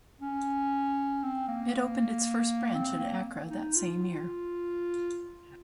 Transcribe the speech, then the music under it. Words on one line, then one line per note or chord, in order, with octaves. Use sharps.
It opened its first branch in Accra that same year.
C#4
C4
A#3
C4
A#3
D#4
F4